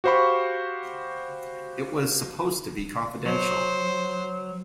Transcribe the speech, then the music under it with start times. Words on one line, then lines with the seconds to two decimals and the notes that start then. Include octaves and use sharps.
It was supposed to be confidential.
0.04 F#4 G4 C5 F5 B5 C#6
3.26 F#3 C5